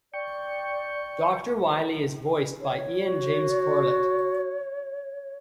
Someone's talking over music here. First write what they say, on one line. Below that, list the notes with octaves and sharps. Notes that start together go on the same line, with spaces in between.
Doctor Wily is voiced by Ian James Corlett.
D5 G5 C#6
C#5
F#4